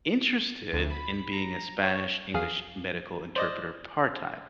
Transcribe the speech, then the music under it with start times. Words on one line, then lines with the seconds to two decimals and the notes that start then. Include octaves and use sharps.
interested in being a Spanish-English medical interpreter part time,
0.73 D2
0.90 B5
1.33 A#5
1.83 C#5
2.34 E2 G#4 F5
3.36 C5 D5 D#5